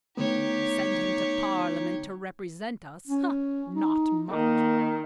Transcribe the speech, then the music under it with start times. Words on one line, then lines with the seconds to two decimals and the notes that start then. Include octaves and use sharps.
Send him to Parliament to represent us--not much!
0.17 D3 A3 B3 D#4 G4 C#5
3.08 C#4
3.75 D#4
4.31 D#3 A#3